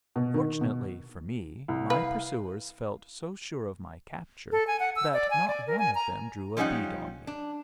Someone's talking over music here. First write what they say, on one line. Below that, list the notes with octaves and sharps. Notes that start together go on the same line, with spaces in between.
Fortunately for me, my pursuers felt so sure of my capture that not one of them drew a bead on me.
B2
D#3
B2
C2
B4 F5
A4
G#5
F#5
E6
D5
G#5
D5
A#4
G#5
A#5
F3 G3 C#4 D#4 F#5
D4